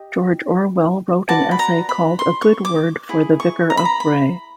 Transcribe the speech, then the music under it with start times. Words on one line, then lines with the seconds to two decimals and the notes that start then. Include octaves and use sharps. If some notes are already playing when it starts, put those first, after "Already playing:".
George Orwell wrote an essay called A Good Word for the Vicar of Bray.
Already playing: G4 D#5
1.28 F#4 B4 D5 A5
1.51 B5
1.59 A#5
1.89 B5
2.19 C6
2.42 C#6
2.65 D6
3.09 E4 G#4
3.40 C#6
3.70 A#5
3.77 B5
3.85 A#5
4.00 B5